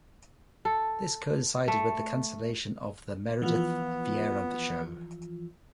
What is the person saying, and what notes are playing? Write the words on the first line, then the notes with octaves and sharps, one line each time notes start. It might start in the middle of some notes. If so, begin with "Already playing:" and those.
This coincided with the cancellation of "The Meredith Vieira Show".
A4
A3
E3 F3 B3 F4